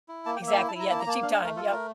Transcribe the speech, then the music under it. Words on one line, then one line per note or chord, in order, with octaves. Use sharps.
Exactly, yeah, the cheap time yep.
E4
A#3 A5
G5
A#3
E5
A5
E4 G5
A5
E4 A#5
A#3 A5
A#5
A#3 A5
D4 F5
G5
A3 A#4
F4 A4
A3 A#4